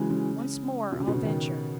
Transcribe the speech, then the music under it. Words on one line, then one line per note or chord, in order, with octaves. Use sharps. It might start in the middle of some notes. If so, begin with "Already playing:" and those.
Once more I'll venture.
Already playing: C#3 E3 F#3 G#3
C#3
B2
C#3
B2
C#3
D#3